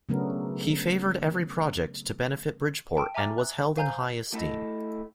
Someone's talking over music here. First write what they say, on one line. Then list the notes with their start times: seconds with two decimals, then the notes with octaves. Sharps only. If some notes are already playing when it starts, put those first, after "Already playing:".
He favoured every project to benefit Bridgeport and was held in high esteem.
0.09 C#3 F#3 A3 B3 D4 A#4
2.97 G5 A5 D7
3.14 E5 G#5 A#5 D6 F6 A6
3.38 F#6
3.76 C5 F5 G#5 A#5 G6
4.34 A3 E4 A4 D#5